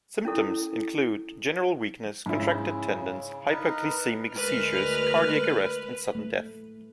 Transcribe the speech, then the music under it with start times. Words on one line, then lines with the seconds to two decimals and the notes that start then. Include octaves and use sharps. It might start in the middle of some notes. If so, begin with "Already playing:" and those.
Symptoms include general weakness, contracted tendons, hypoglycemic seizures, cardiac arrest, and sudden death.
0.25 C#4 E4 A4
2.26 G#2 C#3 E4
3.49 D#4 A#4 B4
4.35 D2 G#3 A#4 B4 F6
6.15 A3